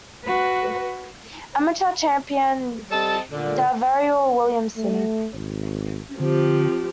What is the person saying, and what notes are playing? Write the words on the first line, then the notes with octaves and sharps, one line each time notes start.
Amateur Champion DaVarryl Williamson.
F#4 B4
G3 C4 A4 D#5 A5
A#2 D3
A3
G#1
D3 F3 C4 G4